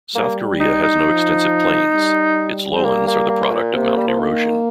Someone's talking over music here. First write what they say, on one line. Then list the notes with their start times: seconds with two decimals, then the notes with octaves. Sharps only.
South Korea has no extensive plains; its lowlands are the product of mountain erosion.
0.15 G3 A#3
0.60 D#4
0.83 D#4
1.04 F3
1.95 G3
2.75 C4
2.84 A#3
3.07 A#3
3.29 A#3
3.51 A#2
3.74 C3 A#3
3.97 G3
4.08 F3
4.19 D#3